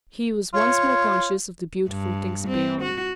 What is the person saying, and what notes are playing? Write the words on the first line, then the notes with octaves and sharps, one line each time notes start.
He was once more conscious of the beautiful things beyond.
F4 C#5
G2
C4
F#4